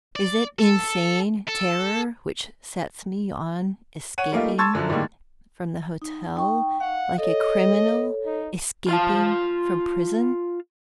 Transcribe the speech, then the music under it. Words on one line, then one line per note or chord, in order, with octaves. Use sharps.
Is it insane terror which sets me on escaping from the hotel like a criminal escaping from prison?
D5
A4
A4
C#5 F#5 D#7
G3 A3 A#3 D#4 F4
A5 C6 C#6 E6 G#6 A6
F#2 D3 F3 F#3
A2 D3 D#3 G3 G#3 A#3
D#4
D#4 G5 C#6
F5 F#5
A4 C#5 D#5
D#4
F4 F5 A5